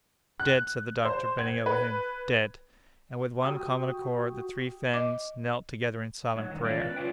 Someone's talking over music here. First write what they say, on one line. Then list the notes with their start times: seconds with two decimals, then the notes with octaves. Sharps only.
"Dead!" said the doctor, bending over him, "dead!" And with one common accord, the three friends knelt together in silent prayer.
0.40 F#6
1.05 C5
1.39 G#6
1.66 B4
3.44 F#4 G4 G5 D#6
4.94 D#5 D6
6.35 G#2 F#3
6.51 G2 D#3
6.65 E2 G#3 C#4 F4 A#4 D5
6.84 B4
6.96 C#3 F#3 F4 D5 E5 G5